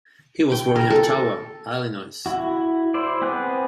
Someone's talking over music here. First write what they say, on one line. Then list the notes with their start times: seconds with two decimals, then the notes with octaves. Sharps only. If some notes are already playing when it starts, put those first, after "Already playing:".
He was born in Ottawa, Illinois.
0.52 G5
0.76 A#4
0.90 A4
2.26 E4 F#4
2.94 E4 C5 D5
3.22 B3 C4 G#4 F#6